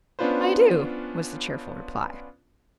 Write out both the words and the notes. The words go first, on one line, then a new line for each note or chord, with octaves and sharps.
"I do," was the cheerful reply.
B3 C#4 D4 F4 B4 C5